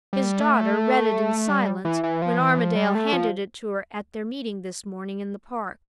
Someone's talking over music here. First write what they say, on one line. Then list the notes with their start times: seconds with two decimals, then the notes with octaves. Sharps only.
His daughter read it in silence, when Armadale handed it to her at their meeting this morning, in the park.
0.13 G3
0.40 A3
1.49 G3
1.85 E3
2.03 E3
2.22 F3
2.40 E3
2.58 F3
2.76 G3
2.95 A3
3.13 F3